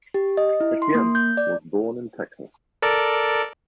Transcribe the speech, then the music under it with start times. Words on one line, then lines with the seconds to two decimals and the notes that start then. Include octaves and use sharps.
Etienne was born in Texas.
0.14 G4
0.37 D#5
0.61 E4
0.82 C6
0.95 A#3
1.15 G6
1.37 D5
2.82 A4 A#4 D5